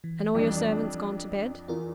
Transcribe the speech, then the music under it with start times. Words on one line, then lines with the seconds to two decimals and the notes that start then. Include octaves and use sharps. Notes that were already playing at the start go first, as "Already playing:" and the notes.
"And all your servants gone to bed?"
0.04 E3
0.35 F2 E3 G3 D4
1.68 E2 F4 A#4